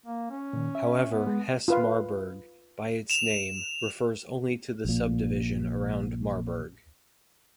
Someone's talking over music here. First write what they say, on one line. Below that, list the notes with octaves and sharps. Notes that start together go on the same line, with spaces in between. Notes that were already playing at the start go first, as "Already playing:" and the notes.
However, Hesse-Marburg, by its name, refers only to the subdivision around Marburg.
A#3
C#4
A#2 D#3
E5
B3
G#3
F4 B4 F5
E7 F7
A#1 A#2